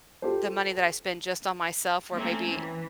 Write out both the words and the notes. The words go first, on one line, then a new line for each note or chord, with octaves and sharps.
the money that I spend just on myself where maybe
F4 G4 A4 C5
A3 A#3 C4 C#4
E3